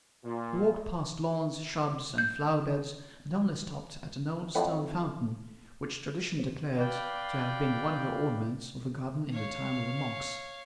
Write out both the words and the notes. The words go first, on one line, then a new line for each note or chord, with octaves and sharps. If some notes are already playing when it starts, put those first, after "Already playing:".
He walked past lawns, shrubs, and flower-beds, and only stopped at an old stone fountain, which tradition declared to have been one of the ornaments of the garden in the time of the monks.
A#2
G6
F2 A2 B4 F#5
B4 D5 F5 G5
C#5 F5